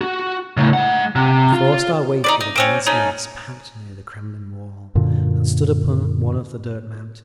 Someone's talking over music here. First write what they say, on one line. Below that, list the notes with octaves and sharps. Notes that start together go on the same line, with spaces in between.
We forced our way through the dense mass packed near the Kremlin wall, and stood upon one of the dirt-mountains.
F#4
A2 C#3
G#3 F#5
C3
F4
D#4 B4 D5
D#4
A#3 C4 C#4
A3 C#4 D#4
F#2 A#2 D3